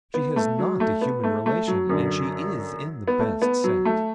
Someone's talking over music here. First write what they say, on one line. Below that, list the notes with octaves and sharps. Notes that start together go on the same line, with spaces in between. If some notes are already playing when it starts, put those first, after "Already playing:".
She has not a human relation, and she is in the best set.'
B3
A3
F#3
A3
B3
A3
A3
F#3
F#2 D3
B3
A3
B3
F#3
A3